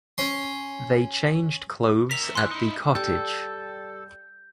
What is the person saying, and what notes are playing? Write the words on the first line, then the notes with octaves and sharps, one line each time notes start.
They changed clothes at the cottage.
C#4 C6
A#4 E5 B6 F7
E3 C6 F#6
D#4 E4
G3 G4 A4 G6